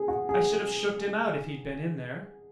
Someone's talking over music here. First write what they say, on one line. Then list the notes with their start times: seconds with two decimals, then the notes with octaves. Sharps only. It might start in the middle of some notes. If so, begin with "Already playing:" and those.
"I should have shooked him out, if he'd been in there!"
Already playing: G#4
0.08 F#4
0.29 G#4